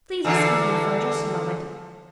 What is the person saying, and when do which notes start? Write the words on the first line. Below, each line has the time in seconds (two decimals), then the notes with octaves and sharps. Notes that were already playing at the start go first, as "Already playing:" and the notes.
Please excuse me for just a moment.
0.25 E2 D3